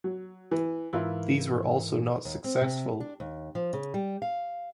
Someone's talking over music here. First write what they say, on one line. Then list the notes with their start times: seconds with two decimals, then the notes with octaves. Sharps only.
These were also not successful.
0.04 F#3
0.51 E3
0.93 G#2 E3 E4 F4 A#4
2.25 D#2
2.44 C4
2.61 C3
3.00 D4
3.20 D#2
3.55 F3
3.73 C#3
3.94 G3
4.22 F5